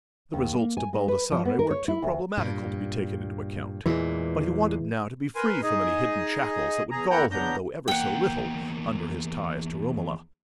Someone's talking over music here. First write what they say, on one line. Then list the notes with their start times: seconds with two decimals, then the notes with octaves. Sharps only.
The results to Baldassarre were too problematical to be taken into account. But he wanted now to be free from any hidden shackles that would gall him, though ever so little, under his ties to Romola.
0.34 D#2
0.54 A#3
0.77 G#5
0.93 G#3
1.08 B4
1.32 F3
1.45 B3
1.59 A#4
1.70 C#5
1.88 E4
2.02 D2
2.37 G2 A#2
3.86 E2 A#2 E3 G#3
5.36 A#4 B4 G#5 C6
5.63 D#4 G#4 D#5
6.91 E2 G#4 A#5
7.10 E2 A#3 E4 F#5 G5 A#5
7.31 E2 C#3 B3 D4 A#5 G6
7.88 E2 A#3 F#5 G5